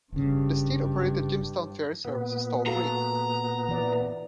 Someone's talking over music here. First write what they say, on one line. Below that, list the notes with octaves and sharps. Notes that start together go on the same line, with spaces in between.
The state-operated Jamestown Ferry service is toll-free.
F#1 G2 C#3 G3
A#2 B3
F#4 A4 F5 A#5
E3 D5